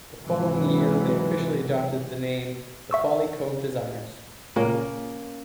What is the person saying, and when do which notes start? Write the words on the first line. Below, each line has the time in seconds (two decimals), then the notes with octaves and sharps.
The following year they officially adopted the name "The Folly Cove Designers".
0.25 G#2 C3 E3 F#3
2.91 E5 C#6 E6
4.56 A#2 C#3 A#3 C#4 A#4